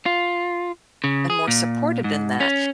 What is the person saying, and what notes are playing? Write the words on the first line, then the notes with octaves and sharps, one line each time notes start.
and more supported in that.
F4
C#3
G#4
A#2
G#2
C#4